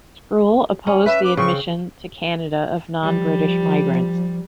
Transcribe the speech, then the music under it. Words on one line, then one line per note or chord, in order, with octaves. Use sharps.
Sproule opposed the admission to Canada of non-British migrants.
C#4
B4 E5
D6
C#3 C4 C#6
F3 G3